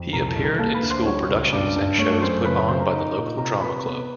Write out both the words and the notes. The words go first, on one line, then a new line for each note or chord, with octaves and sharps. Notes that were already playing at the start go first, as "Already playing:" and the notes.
He appeared in school productions and shows put on by the local drama club.
Already playing: F2
C2 A#4 A#5
A4 A5
C2
A#4 A#5
A#3 A4 A5
B4 B5
D2
C5 C6
G3 C#5 C#6
C#2
G2 D5 D6
G2
A3 C#5 C#6
F#2 C5 C6
C#3 B4 B5
B4 B5
C#3 C5 C6
A#4 A#5
D#4
A#2
C3 A#4 A#5
C3 B4 B5
B3